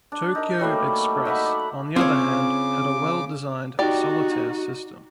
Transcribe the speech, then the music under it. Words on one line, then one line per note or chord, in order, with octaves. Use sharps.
"Tokyo Express", on the other hand, had a well-designed solitaire system.
D4
D#4 A#4
F#3 G3 A3 A#3
D#4 E5 F#5 B5
D5
C#3 C4 F4 C#5 D6
D#4 F#4 G4 D5